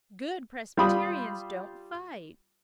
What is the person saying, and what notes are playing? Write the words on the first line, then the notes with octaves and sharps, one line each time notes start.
"Good Presbyterians don't fight."
G3 F4 B5 D#6